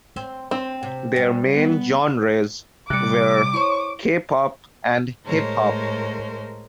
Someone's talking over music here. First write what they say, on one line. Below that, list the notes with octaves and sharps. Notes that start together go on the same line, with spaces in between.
Their main genres were K-pop and hip-hop.
C4
C4 C5
C3
G3
B3
C3 G3 D6 F#6 C#7
E4 C5 C#5 C6 C#6
A2 G#3 A#4 C5 C#5